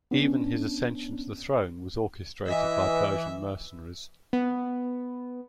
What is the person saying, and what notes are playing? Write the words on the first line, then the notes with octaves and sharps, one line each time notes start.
Even his ascension to the throne was orchestrated by Persian mercenaries.
B3 C#4 D4
E3 D#5 E5
B3